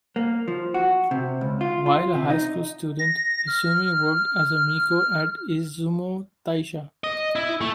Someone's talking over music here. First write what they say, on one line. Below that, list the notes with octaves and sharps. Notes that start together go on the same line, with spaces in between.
While a high school student, Esumi worked as a miko at Izumo-taisha.
A#3
F3
F#4
C3
C#2
F4
F4
C3
D#4
A#6
F6
D#5
E4
A3